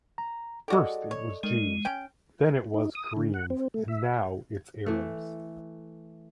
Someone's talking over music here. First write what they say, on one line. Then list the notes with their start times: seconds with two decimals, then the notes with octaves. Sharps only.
First it was Jews, then it was Koreans and now it's Arabs.
0.18 A#5
0.68 G#3 F#4 G4 A4 D5 D#5
1.11 C#5
1.43 D#3 G#3
1.85 C#4 G5
2.74 D#4
2.95 D#6
3.17 D3
3.34 F#5
3.50 C4
3.74 A3
3.88 E5
4.86 E3 A3